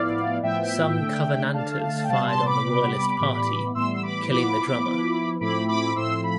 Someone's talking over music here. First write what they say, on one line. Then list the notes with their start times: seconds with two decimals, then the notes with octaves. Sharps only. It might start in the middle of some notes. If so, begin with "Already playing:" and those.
Some Covenanters fired on the Royalist party, killing the drummer.
Already playing: A2 F3 B3 E4 D5 F5
0.43 A2 F3 B3 E4 E5 G5
0.98 D3 A3 D4
1.53 D3 A3 D4 F5 A5
2.04 G5
2.09 C3 G3 B3 F5 A5
2.27 A5 C6
2.46 B5 D6
2.64 C3 G3 B3
3.19 A2 E3 G3 B3
3.75 A2 E3 G3 B3 C6 E6
3.95 E6
4.03 B5 D6
4.30 F3 B3 E4 B5 D6
4.86 F3 B3 E4
5.41 A2 F3 A3 C4 E4 B5 D6
5.68 B5 D6
5.96 A2 F3 A3 C4 E4 C6 E6
6.23 B5